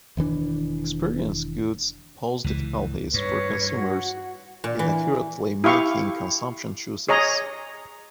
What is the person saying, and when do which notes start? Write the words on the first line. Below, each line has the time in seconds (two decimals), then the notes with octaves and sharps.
Experience goods pose difficulties for consumers in accurately making consumption choices.
0.17 E1 D#3 E3 D4
2.44 C#2 E3
3.14 G2 B4 C#5
3.78 F#4
4.64 A#2
4.79 E3
5.64 E4 G4 F5 C#6
7.09 G#4 C#5 D#5 A#5